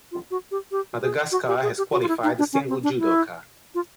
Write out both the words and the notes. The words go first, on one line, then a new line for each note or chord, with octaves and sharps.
Madagascar has qualified a single judoka.
F4
F#4
G4
G4
G#4
F#4
G4
G#4
G4
F#4
F4
E4
D#4
D4
C#4
C4
D4
E4
F4